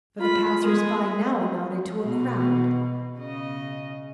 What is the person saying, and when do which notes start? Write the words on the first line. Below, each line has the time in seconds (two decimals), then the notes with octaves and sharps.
For the passers-by now amounted to a crowd.
0.18 F4 B5
0.62 G#3 G#4
2.03 B2
3.18 C#3 D#5